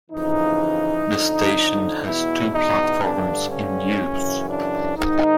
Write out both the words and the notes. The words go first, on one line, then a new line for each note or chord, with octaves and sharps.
The station has two platforms in use.
F2 C#3 E3 D#4
F2 D3
E2 B2 E4
D#4
G2 D3 D4
C#4
F#2 C#3 E3
D4
G#2 D#3 D#4